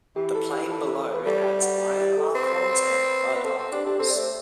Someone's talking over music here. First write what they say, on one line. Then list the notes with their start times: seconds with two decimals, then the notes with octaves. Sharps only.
The Plane Below adds Iron Archons and Mud Archons.
0.16 E3 G4
0.35 A4
0.53 G4
0.71 A4
1.14 B4
1.26 G3 A4
1.43 G4
1.62 F#4
1.99 G4
2.17 A4
2.35 C4 B4
3.35 B3
3.44 C4 A4
3.58 C4 A4
3.72 D4 G4
3.86 D4 G4
3.99 C4 A4
4.10 D5
4.15 A3 C5